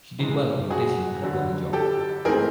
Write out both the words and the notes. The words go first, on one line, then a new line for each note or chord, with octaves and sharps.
She did well at the audition and got the job.
D2 C3 E3 G#3
F#4 G#4
G2 D3 F#3
G4 A4
G#2 E3 A3 C4 G#4 A#4